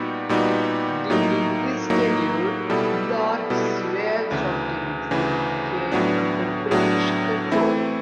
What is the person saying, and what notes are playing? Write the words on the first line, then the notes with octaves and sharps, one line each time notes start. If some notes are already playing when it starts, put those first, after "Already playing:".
During his tenure, large swaths of territory came under British control.
Already playing: A#2 G3 B3 D#4 F#4
A#2 G3 B3 D#4 F#4
A2 F#3 A#3 D#4
A2 F#3 A#3 D#4
B2 G3 B3 E4 A4
B2 G3 B3 E4 A4
D2 C#3 E3
D2 C#3 E3
A2 F#3 B3 D4
A2 F#3 B3 D4
E3 A3 C4 E4